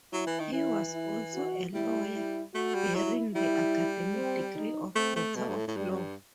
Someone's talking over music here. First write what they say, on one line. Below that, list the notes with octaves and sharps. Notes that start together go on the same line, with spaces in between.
He was also a lawyer, bearing the academic degree of Doctor of Law.
F#3 E4
E3
D#3
E3 E4
E4
F#4
G3 E4
E4
A3 F#4
G3
F#3 E4
G3 E4
C4
D#4
A3 C4
A3
B2 A3
G2
A2
A2
G2 G3
F#2
G2